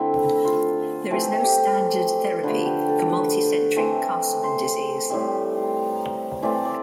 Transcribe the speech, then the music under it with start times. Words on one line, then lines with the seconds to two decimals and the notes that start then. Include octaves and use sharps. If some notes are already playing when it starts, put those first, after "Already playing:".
There is no standard therapy for multicentric Castleman disease.
Already playing: D3 A3 C4 E4
0.45 F4
1.10 E3 A3 C4 G4
1.44 G4
2.43 D3 F3 A3 B4
2.65 G4
2.88 A4
3.10 B4
3.76 E3 A3 C4
4.43 C5
5.10 A2 G3 C4 E5
6.42 E3 A3 C4 D5
6.65 D5